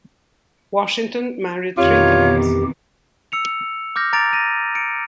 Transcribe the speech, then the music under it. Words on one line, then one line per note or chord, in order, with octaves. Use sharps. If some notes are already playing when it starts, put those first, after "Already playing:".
Washington married three times.
F2 B2 D#3 E3 F4 G4 C#5
E6 C#7 F7
D6 F6 G6 A#6
A#5 D6 A6 D7 F7
A#6 D#7
C#7 D7